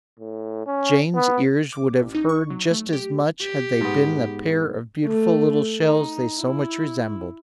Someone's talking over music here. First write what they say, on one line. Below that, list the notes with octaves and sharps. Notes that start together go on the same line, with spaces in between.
But Jane's ears would have heard just as much had they been the pair of beautiful little shells they so much resembled.
A2
C#4
B3
D6
A1
D#4
C#6
F#3
A3
G4
G4
G#2 B3
A3
D#4
E4